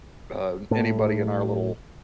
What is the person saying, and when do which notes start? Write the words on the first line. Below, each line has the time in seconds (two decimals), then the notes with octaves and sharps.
uh, anybody in our little
0.71 A2